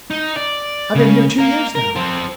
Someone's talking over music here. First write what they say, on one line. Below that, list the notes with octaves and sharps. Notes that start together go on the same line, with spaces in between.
I've been here two years now.
D#4
D5
C#3
A#4 F5
A#4
C4 A4